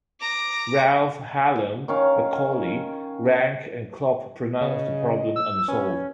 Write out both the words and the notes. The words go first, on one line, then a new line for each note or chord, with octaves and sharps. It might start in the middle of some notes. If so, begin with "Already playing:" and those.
Ralph, Hallam, Macaulay, Ranke, and Klopp pronounce the problem unsolved.
A#5 D6
D#3 C#4 F5
C#3 D#5
E6
C#4 B4